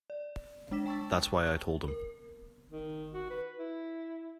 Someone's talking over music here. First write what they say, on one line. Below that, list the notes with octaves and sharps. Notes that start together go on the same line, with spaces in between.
That's why I told him.
D5
G#3 D4 D6 B6 E7
G5 A5 C#6 E6 A6
A#4
D#3
F#4
B4
E4